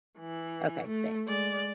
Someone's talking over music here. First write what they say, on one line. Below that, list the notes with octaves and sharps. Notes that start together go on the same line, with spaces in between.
Okay, same.
E3
A3
G#3 D5